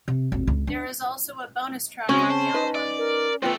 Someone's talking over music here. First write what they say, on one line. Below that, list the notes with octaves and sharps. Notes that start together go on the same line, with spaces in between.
There is also a bonus track on the album.
C3
D#1 G#1
C#2
D4
C#3 G#3 C4 C#4 F#4
C5 A5
D#4 B4
D5
A#4
E2 A3 B3 F4 C5 G5